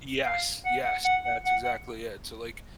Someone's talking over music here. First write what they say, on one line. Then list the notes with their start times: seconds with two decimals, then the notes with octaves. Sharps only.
Yes, yes, that's exactly it. So, like,
0.25 F5
0.65 F#5
0.85 F#5
1.05 F#5
1.25 F#5
1.45 F#5
1.64 F#5